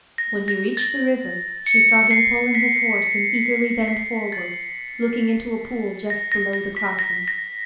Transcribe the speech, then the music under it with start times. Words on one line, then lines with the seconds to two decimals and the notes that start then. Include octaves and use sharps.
When he reached the river she saw him pull in his horse and eagerly bend forward, looking into a pool just below the crossing.
0.18 A#6
0.48 A#6
0.77 A6
1.67 C#7
2.11 C7
2.55 B6
3.43 C7
3.88 B6
4.32 A6
6.10 A#6
6.32 A#6
6.53 A#6
6.77 B6
6.99 A#6
7.28 A#6